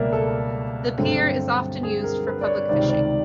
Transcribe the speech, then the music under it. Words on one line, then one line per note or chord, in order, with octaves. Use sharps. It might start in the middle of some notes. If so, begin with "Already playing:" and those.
The pier is often used for public fishing.
Already playing: C#2 B2 G3 A#3 C#4 A#4 D5 E5
A4
G2 D3 F#3 A3 C4
G#4
A#4
B4
D5
C#5
C#2 C3 D#3 D5
D5